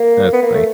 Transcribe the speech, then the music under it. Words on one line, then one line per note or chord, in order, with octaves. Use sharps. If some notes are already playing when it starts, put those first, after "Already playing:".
That's funny.
Already playing: A#3
B3
A#3
A3